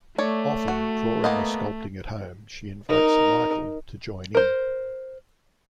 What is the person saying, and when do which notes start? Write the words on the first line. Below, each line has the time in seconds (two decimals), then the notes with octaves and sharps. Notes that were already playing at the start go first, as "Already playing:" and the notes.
Often drawing or sculpting at home, she invites Michael to join in.
0.18 A3 C#5 D5
0.68 F#4
1.24 A#3 B3 D#5
2.89 D#4 A#4
4.35 A#4 C5